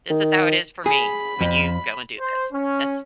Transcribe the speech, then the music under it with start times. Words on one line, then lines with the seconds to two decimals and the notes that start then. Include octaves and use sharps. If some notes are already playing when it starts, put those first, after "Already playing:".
This is how it is for me when you go and do this. That's f
0.10 D#3
0.86 G#4 B5
1.41 F2
2.20 C5
2.53 C#4